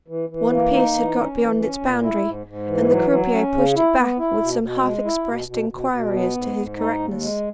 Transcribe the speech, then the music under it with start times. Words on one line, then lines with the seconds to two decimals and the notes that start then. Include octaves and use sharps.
One piece had got beyond its boundary, and the croupier pushed it back with some half-expressed inquiry as to his correctness.
0.08 E3
0.29 E3
0.52 A#3
0.73 D#4
0.94 E3
1.17 C#4
1.37 E3
1.60 C#4
1.81 A#2
2.02 E4
2.24 G#2
2.46 G#2
2.67 E3
2.89 F#3
3.10 F#3
3.33 C#4
3.54 C#3
3.76 E4
3.97 B3
4.18 E4
4.40 B2
4.62 B2
4.83 G#3
5.05 E4
5.26 B2
5.48 B2
5.70 B2
5.91 B2
6.12 B3
6.35 G#2
6.56 G#2
6.77 D#4
6.99 D#2
7.21 G#3